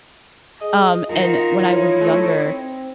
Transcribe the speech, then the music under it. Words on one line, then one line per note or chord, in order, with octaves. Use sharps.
Um, and when I was younger
G#4 D#5
D#3 F4 F#4 A#4
D#4 E4 C#5
A3
C4